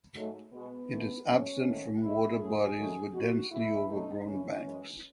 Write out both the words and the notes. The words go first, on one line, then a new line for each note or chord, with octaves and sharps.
It is absent from water bodies with densely overgrown banks.
G#2 F#3 A3
B2 G#3 B3
G#2 D#3 A3
F#2 C#3 F#3 A3 C#4
G#2 D#3 A3
A2 E3 A3 E4
A2 F#3 A3 G#4
G#2 D#3 F#3 A3
B2 F#3 A3 F#4
A2 E3 G#3 E4
B2 F#3 A3 D#4
F#2 C#3 E3 C#4
F#2 E3 G#3